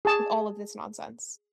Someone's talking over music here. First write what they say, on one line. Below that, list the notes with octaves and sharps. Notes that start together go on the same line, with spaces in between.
with all of this nonsense,
G#4 A5